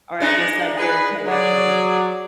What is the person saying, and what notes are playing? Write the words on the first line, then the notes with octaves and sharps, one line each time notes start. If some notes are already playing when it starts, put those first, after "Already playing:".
Or I guess like your play-by-play.
G#3 D4 D#4
G#4 B4
F#3 G#4 D5